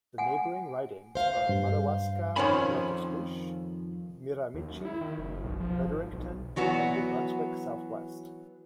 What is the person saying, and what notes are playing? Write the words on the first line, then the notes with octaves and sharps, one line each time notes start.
The neighbouring ridings are Madawaska-Restigouche, Miramichi, Fredericton, and New Brunswick Southwest.
F#5 G#5
C5 F5
G2
F2 D#3 F3 C#4 G#5 B5
D#2
F#2
E4
D#3
F#1
B1
F3
G#1
B1
E3 F#3 B3 F#4